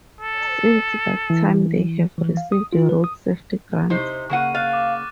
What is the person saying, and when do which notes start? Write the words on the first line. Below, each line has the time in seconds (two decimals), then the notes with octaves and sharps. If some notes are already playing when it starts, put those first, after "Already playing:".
Since that time they have received road safety grants.
0.21 A4
1.30 E3
2.18 E3
2.37 F5
2.52 D#6
2.73 F4
2.89 B4
3.04 D#6
3.90 C3 D#4 C5
4.30 C#3 A#3 F#5 C#6 D#7
4.55 F5 F6 F#6 A6
4.73 D6